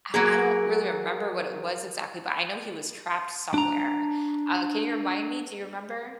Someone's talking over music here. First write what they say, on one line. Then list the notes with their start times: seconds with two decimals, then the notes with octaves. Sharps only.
I I don't really remember what it was exactly, but I know he was trapped somewhere, uh, can you remind me? Do you remember?
0.14 F#3 A#3 G#4
3.54 D4 A#5